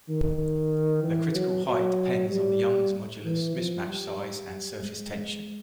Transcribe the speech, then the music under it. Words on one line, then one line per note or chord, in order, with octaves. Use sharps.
The critical height depends on the Young's modulus, mismatch size, and surface tension.
D#3
E3
F#3
F#3
G3
E3
F3
G3
G#3
G#3